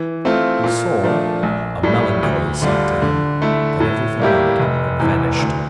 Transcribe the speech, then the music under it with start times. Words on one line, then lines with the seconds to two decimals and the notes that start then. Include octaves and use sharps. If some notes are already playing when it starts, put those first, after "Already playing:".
He saw--a melancholy sight to him--that everything on it had vanished.
Already playing: E3
0.25 A3 C4 F4
0.64 A#2
1.03 F3 A3 D4
1.43 A#1
1.83 A2 G3
2.23 D2
2.62 D3 G3 D4 F4
3.02 D3
3.42 A3 E4
3.80 A2
4.20 G3 A#3 E4 G4
4.59 F1
5.00 E2 C3 E3
5.39 D2